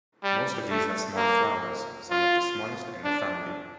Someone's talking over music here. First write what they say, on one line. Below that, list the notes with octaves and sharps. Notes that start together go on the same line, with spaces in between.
Most of these have small flowers, some of the smallest in the family.
G3
A3
A#3
F4
D4